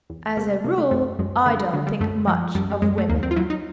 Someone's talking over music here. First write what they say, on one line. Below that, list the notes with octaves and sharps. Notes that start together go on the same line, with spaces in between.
As a rule I don't think much of women.
E2
C3 A#3
C3 A#3
A3
F#2 A3
F#2 G#3
D3 A3
G#3
D3 F#3
G3
F#2 A3
F3 G#3
F#2 G3
G3
F#2 G#3
A3
D#2 A#3
C4
F4
F#3 E4
D#4